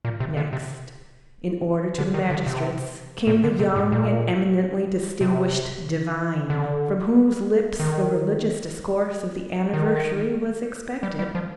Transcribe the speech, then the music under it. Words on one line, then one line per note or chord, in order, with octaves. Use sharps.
Next in order to the magistrates came the young and eminently distinguished divine, from whose lips the religious discourse of the anniversary was expected.
A#2
C3
D3
C3
D3
D#3
D3
C3
A#2
D3
C3
G#2
A#2
C3
D3
D#3
D#3
G3
G3
F3